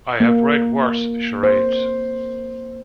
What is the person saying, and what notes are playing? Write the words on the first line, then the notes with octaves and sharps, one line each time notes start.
I have read worse charades.
A#3
C5